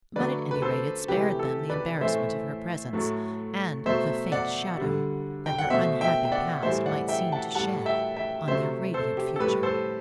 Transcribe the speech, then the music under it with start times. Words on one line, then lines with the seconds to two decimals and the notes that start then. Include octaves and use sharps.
But at any rate it spared them the embarrassment of her presence, and the faint shadow that her unhappy past might seem to shed on their radiant future.
0.16 D3 F#3 A3 B4 D5
0.51 B4
0.62 A4 C5
1.08 C3 E3 A3 G4 B4
1.39 A4
1.70 B4 D5
2.01 A2 E3 A3 C5 E5
2.93 A2 F#3 A3
3.86 B2 F#3 A3 C5 E5
4.32 D5 F#5
4.78 D3 G3
5.46 G5
5.58 F#5
5.70 B2 A3 C5 E5
6.01 E5 G5
6.25 G5
6.32 D5 F#5
6.63 A2 E3 G3 C5 E5
6.86 D5 F#5
7.08 E5 G5
7.32 F#5 A5
7.55 A2 G3 F#5 A5
7.86 E5 G5
8.16 E5 G5
8.47 C3 F#3 A3 C5 E5
8.94 A4 C5
9.17 G4
9.36 A4
9.40 A2 G3 G4 B4
9.63 A4 C5